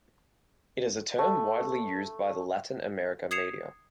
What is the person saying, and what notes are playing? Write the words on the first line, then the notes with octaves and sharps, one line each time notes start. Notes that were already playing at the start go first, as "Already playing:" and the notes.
It is a term widely used by Latin American media.
A3
D#6 G#6 C7 C#7 E7 F7